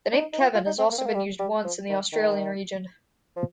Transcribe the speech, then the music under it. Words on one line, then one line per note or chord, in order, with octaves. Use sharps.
The name Kevin has also been used once in the Australian region.
D4
D#4
D#4
F4
F4
D#4
C4
A#3
C4
A#3
G3
G3
F3
D#3
D#3
F3